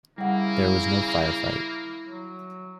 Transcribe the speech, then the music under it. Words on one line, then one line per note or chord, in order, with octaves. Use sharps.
There was no fire fight.
C#3 G3 A#3 E4 F#5
F#3